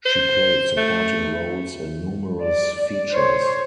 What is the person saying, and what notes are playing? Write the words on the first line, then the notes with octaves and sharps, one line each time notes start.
She played supporting roles in numerous features.
C5
A3
D5
C5 C#5